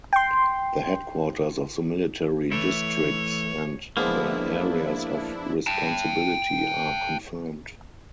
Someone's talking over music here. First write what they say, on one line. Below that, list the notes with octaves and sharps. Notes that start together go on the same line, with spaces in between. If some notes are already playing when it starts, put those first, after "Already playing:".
The headquarters of the military districts and their areas of responsibility are confirmed.
G5 C6
E3 A3 E4 C#5
F3 G#3 A#3 B3 D4 E4
G5 A5